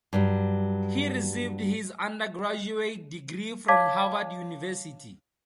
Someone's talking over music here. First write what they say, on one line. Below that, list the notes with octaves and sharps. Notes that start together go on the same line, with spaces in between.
He received his undergraduate degree from Harvard University.
G2 F#3 G3
C#5 F5 A5 D6 G#6 B6